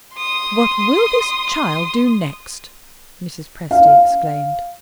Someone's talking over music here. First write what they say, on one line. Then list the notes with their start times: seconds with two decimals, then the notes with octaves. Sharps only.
"What will this child do next?" Mrs. Presty exclaimed.
0.15 C6 D#6
3.71 F5